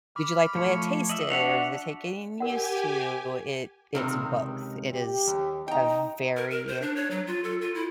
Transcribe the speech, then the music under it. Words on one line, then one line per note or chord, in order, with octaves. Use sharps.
did you like the way it tasted, or did it take getting used to? It it's both, it is a very, uh,
B5 D6 F6
F3 A3 C#5
D#5 E5 F#7
D4 F#4 E5 F#5 B6 C#7 F7
G4 A#4 F#5 G#5
C#2 C3 D#3
G4
D#2
D#4 G5 A#5
A#4
A#4
C5
D4
C#5
F#3
F4
A4
F4
E4